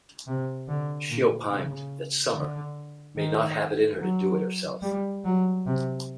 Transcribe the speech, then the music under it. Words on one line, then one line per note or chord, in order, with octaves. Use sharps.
She opined that Summer may not "have it in her to do it" herself.
C3
D3
A#2
C#3
D3
D#3
F#3
G3
F#3
C3